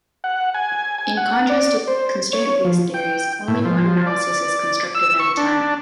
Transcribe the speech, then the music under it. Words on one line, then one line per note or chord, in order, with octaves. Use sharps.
In contrast to constraint-based theories, only one analysis is constructed at a time.
F#5
G#5
G#5
F#5
D5
C5
C#5
F3
G5
A2
F3
D5
E6
C#6
D4